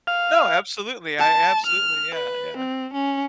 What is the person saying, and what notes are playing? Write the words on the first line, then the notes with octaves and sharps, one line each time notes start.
No, absolutely, I absolutely yeah, yeah.
F5
A5
F6
B4
C4
C#4